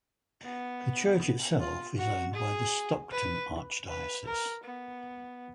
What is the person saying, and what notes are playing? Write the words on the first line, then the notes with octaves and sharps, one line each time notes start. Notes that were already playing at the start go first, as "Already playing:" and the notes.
The church itself is owned by the Stockton archdiocese.
B3
F4
F#4
G#4
B4
B4
A#4
B3